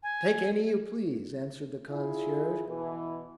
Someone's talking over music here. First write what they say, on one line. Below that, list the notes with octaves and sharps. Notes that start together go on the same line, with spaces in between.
"Take any you please," answered the concierge.
G#5
E4 F4 G#4
B2 E3